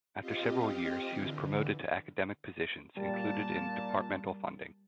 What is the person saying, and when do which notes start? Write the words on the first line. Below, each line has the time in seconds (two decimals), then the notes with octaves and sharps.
After several years, he was promoted to academic positions included in departmental funding.
0.20 C4 F4 G4 D#5 F5
1.10 D3 E3
2.97 A#2 G3 A5